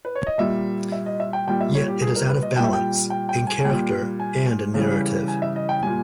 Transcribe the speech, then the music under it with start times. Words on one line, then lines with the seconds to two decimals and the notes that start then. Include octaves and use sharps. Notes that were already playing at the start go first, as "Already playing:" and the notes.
Yet it is out of balance, in character and in narrative.
0.05 B4
0.15 C#5
0.27 D#5
0.38 A#2 G3 E5
0.92 E5
1.06 D#5
1.20 E5
1.33 G5
1.47 A#2 G3 G5
1.61 E5
1.75 C#5
1.88 G4
2.02 G#4
2.16 A#4
2.29 B4
2.43 D#5
2.56 A#2 G5
2.60 G3 E5
2.73 G5
3.10 G5
3.29 G5
3.47 G#5
3.59 G#5
3.65 A#2 G3 G5
4.20 G#5
4.74 C#3 E3 G3
5.28 G#5
5.42 E5
5.56 D#5
5.69 G5
5.83 A#2 G3 G#5